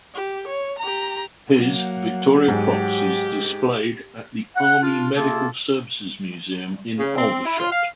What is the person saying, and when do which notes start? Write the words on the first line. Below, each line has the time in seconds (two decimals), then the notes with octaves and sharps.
His Victoria Cross is displayed at the Army Medical Services Museum in Aldershot.
0.14 G4
0.48 C#5
0.79 G4 A#5
1.57 F#3 A#3 F#5
2.48 G#2 G4
4.56 F#5
4.82 D4 F4
5.16 C3 A#3 F4 G#4 A4
6.98 C#3
7.16 C4
7.45 E4
7.58 F4
7.71 F5